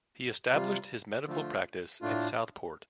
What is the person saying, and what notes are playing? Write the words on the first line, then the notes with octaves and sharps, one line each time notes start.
He established his medical practice in Southport.
C3 G3 F4
D3 F3 A3 F4
A2 A3 D4 F4